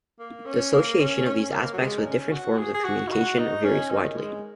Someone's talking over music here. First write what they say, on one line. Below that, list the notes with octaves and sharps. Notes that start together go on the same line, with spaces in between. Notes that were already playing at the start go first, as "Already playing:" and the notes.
The association of these aspects with different forms of communication varies widely.
A#3
C#4
A#3
C#4
C#4
A#3
F#3
G#3
D#4
C#4
F#4
G#4
G#4
F#4
D#4
F#4
D#4
C#4
D#3
G#3